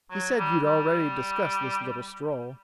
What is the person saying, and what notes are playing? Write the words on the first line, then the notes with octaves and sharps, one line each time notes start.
"He said you'd already discussed this little stroll."
F#3
G3
G3